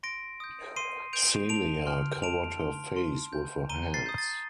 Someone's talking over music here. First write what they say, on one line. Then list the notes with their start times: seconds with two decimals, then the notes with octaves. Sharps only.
Celia covered her face with her hands.
0.03 C6 A#6 D7
0.40 D#6 G6
0.76 C6 C7 D#7
1.13 G6 D7 F7
1.49 A5 D7 F7
1.86 C6 F6
2.22 A5 D7 F7
2.59 C6 F6
2.96 C6
3.33 G6
3.69 A#5 D#7 G7
3.94 A6 C7
4.06 D#6 G6
4.18 A6